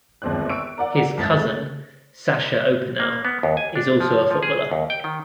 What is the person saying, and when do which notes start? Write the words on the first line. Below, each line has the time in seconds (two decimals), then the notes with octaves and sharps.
His cousin, Sacha Opinel, is also a footballer.
0.22 G1 D#2 G#3 C4 D5 F#6
0.49 C#6 E6 D7
0.78 A#4 D5 F#5
1.17 C2 G#2 A6
1.38 A3
3.00 A#3
3.25 B3
3.43 D#2
3.57 G#5
3.76 D4
4.00 F3
4.31 F3
4.43 G#4
4.71 D#2
4.90 G5
5.04 D#3